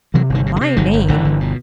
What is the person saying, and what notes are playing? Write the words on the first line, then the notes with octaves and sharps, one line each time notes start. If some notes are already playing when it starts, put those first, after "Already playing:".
My name!
C3 E3 F#3
G1 D#3
C3
D3
C3
G1 D#3
G1
G1 D3 E3
G1
B2